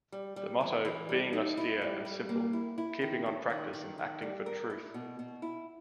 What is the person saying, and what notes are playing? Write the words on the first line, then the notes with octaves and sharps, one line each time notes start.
The motto Being austere and simple, keeping on practice and acting for truth.
G3
G3
E3
E3
G3
D#4
E4
G3
G3
A#3
E4
E4
D#3
C#4
D#3
D#3
D#3
G3
A#4
E4
B2
B2
E4